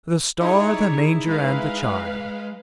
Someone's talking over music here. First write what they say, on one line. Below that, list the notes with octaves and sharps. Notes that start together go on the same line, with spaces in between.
"The star, the manger, and the Child!"
D#4 E4 G#4 C#5 D5
G#3 B4 F5